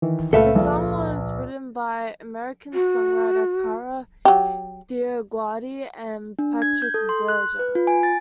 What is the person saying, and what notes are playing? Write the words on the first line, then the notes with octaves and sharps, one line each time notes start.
The song was written by American songwriter Kara DioGuardi and Patrik Berger.
D#3 E3
C#2 A#2 A3 A4 B4 E5 F5
A#1
F#4
F#3 G4
D4
G#6
G6
A4
C6
F#6
B4
F4
G#5
A6